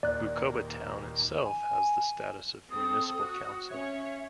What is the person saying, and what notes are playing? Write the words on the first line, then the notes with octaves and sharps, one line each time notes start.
Bukoba Town itself has the status of a municipal Council.
D#2 A#2 D5 F#6
G#5
C4 A4 D#6
F#4
C#4 C#5 E5